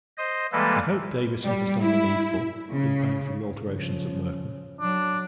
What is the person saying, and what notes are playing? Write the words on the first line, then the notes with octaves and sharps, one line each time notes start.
I hope, Davison has done the needful, in paying for the alterations at Merton.
C5 D#5
E3 G3 G#3 A#3 A4 B4
G3
E4
C#3
C#3 F3
F#3 D4